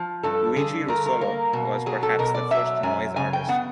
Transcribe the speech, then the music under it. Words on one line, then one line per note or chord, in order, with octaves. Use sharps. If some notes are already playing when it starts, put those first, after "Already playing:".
Luigi Russolo was perhaps the first noise artist.
Already playing: F3
G2 A4
D3 G#4
G2 A#4
A#4
A#3
B2
F#3 G#4
A4
B2 A#4
D5
F#3 E5
F#2 G#5
C#3 G#5
G5
B3 F#5